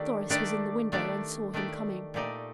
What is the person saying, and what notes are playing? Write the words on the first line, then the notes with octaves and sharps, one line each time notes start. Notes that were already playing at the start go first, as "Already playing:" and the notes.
Doris was in the window and saw him coming.
Already playing: D#3 A3 D4 G4 D5
D#3 A3 D4 G4 D5
D#3 A3 D4 G4 D5
D#3 A3 D4 G4 D5
A#2 A3 D#4 G4 D5